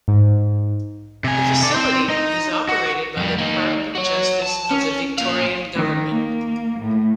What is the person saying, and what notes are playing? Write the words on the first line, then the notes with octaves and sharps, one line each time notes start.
The facility is operated by the Department of Justice, of the Victorian Government.
G#2
C3 G#5
A4 D5
C4 C5
D#4
F#4
F2 G3
A#3 D#4
F#4 C#5
A5
C#4
A#2 F5
D#3
A#3
A2